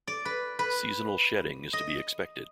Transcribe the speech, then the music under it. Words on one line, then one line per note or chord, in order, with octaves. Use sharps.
Seasonal shedding is to be expected.
D5
B4
B4
D#5